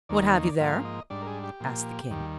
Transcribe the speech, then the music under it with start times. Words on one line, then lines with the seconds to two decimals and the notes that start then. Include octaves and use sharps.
"What have you there?" asked the king.
0.09 D#2 D#3 A#3 D#4 D5
0.26 C5
0.43 D5
0.60 G#2 F3 A#3 F5
0.85 D#5
1.10 G#2 G3 D4 D5
1.22 A#4
1.27 G#4
1.44 G4
1.61 A#2 F3 A#3
2.11 D#2 D#3 G3